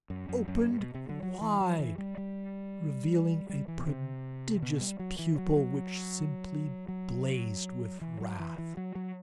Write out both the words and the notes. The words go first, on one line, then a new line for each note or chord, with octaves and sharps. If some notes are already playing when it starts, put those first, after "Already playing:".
Opened wide, revealing a prodigious pupil which simply blazed with wrath!
F#2
F#2
F#2
G2
B2
C3
D3
F#3
E3
F#3
E3
G3
G3
G3
E3
B2
C3
B2
G3
F#3
E3
F#3
F#3
F#3
E3
F#3
E3
E3
F#3
F#3